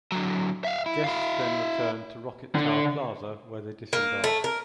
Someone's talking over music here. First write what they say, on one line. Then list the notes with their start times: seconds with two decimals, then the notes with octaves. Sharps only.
Guests then return to Rocket Tower Plaza where they disembark.
0.12 D3 F#3
0.65 E5 F5
0.86 E4
1.04 E4 F5
2.55 D3
3.93 A#3
4.24 A3
4.44 A#4